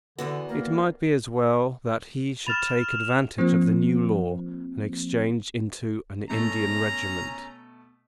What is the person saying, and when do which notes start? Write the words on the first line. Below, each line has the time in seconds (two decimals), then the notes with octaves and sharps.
It might be as well that he should take advantage of the new law and exchange into an Indian regiment.
0.18 E2 D3 E3 B3 F#4
0.49 A#3 A#4
2.47 B5 F6 A6 E7 F7
3.38 F3 A#3 C4
6.30 B2 A3 C#4 A#5